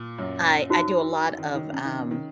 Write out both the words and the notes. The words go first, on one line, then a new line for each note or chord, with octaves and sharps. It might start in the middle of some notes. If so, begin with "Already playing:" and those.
I I do a lot of, um,
Already playing: A#2
F#2 F#3
D#4 F#4 C5
D#3
D#3
C#3
D#3
C#3
D#3